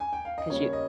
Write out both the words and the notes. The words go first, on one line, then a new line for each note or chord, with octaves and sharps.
'Cause you
G#5
G5
F5
D#5
C#3 G3 A#3 C#5
D#5